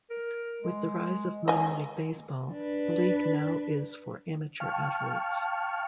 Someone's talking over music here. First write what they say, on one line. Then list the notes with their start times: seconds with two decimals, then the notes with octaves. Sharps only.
With the rise of Minor League Baseball, the league now is for amateur athletes.
0.10 A#4
0.62 G#3
1.48 D#3 D#5 G#5
2.52 D4 B4
4.60 F5 G5 A5 C#6 F6